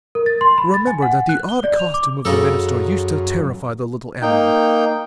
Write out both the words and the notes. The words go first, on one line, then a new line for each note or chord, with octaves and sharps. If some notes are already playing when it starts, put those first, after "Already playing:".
Remember that the odd costume of the minister used to terrify the little animal.
A#4
A6
C6
B5
A6
G#5
F#5
F#6
G7
D5
F7
D6
F#2 C#3 D#4 A4
A#3 D#4 G5